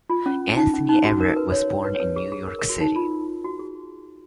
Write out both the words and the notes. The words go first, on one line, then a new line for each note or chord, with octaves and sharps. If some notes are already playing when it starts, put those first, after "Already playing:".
Anthony Everett was born in New York City.
F4
C#4
D#4
C#4
D#4
F#4
A#4
B4
C#5
B4
C#5
B4
G#4
G#4
A#4
A#4
F#4
D#4
F4
F#4
G#4